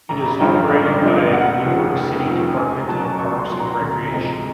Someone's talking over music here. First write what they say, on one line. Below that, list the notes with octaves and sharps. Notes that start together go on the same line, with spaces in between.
It is operated by the New York City Department of Parks and Recreation.
A1 A#5
B5
G2 D3 F3 G#3 G5
F5
A1 D#5
D5
G2 D3 F3 G#3 D#5
F5
F1 F#5
D#2 C#3 F3
F1 G5
D#2 C#3 F3
C#2 G#5
A#5
B2 F#3 A5
C#2 C#6
C6
B2 F#3
A#5
D2
C3 F3 G#3